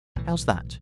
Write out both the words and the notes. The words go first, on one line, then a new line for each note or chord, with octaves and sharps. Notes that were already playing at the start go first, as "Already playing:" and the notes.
How's that?
B1 A2 E3